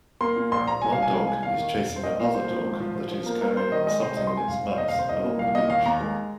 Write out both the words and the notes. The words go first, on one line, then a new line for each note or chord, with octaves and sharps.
One dog is chasing another dog that is carrying something in its mouth along the beach.
A#3 C6
A#2
A#1 C6
A#1 A#5
C2 G#5
F5
C2 G#5
G#3 F5
C2 G#5
D#2 F5
D#3
F1
F1
C5
A#1 D#5
A#2 F5
A#2 C5
F3
G#1
F3
F3
F3
A#3
A#3
A#3 C5
D#3 D#5
G#3 D#5
C3 C5
C2 D#5
C6
G#3 G#5
F1 F5
F1
C5
D#2 D#5
F5
F1 C5
C2 D#5
A#2
C2 F5
A#2 D#5
D#2 F5
D#2 A#5
G#3